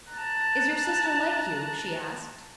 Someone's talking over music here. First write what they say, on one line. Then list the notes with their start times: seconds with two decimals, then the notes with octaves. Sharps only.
"Is your sister like you?" she asked.
0.11 A5 A#5 F#6